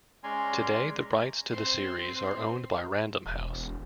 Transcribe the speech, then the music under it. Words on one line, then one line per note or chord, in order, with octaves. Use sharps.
Today the rights to the series are owned by Random House.
G#3 C#4 D5 G#5 A#5 C6
C4 C6
E1